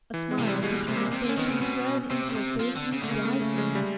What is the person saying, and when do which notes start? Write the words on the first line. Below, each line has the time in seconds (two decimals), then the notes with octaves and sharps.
A smile can turn a face we dread into a face we'd die for.
0.14 E3
0.31 G#3
0.39 C3
0.47 G3
0.64 B2 G#3
0.88 C3
0.96 A#3
1.13 C3 C4
1.24 D3
1.29 C#4
1.37 D#3 B3
1.46 C#3 C4
1.62 B2 C#4
2.11 C3 C4
2.29 C#3
2.36 C3
2.60 F3
2.76 D3
2.93 C#3
3.02 D3 A3
3.09 C#3 A#3
3.25 A3
3.42 A3
3.58 G#3
3.75 G3